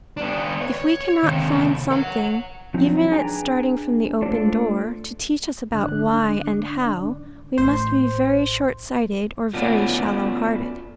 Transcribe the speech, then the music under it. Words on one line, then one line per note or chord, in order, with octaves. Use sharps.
If we cannot find something, even at starting from the open door, to teach us about Why and How, we must be very short-sighted, or very shallow-hearted.
B3 D4
C#5
D#2 C3
C#5 F#5
F3 F#3 C4 D#4
D4 G#4 B4 G5 G#5 A#5
A3 D4 F4 A4 C5 D5
G#2 D3 D4 F#6
A1 C5
A3 B3 C#4 D4 F4 F#4